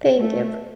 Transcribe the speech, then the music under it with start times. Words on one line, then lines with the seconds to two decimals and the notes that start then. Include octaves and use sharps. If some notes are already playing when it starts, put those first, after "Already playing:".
Thank you, b
0.19 A3